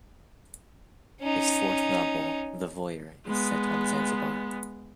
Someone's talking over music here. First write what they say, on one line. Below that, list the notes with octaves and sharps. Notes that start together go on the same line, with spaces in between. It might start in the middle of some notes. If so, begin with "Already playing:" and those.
His fourth novel, "The Voyeur" is set on Zanzibar.
C#4 D#4
G#3 B3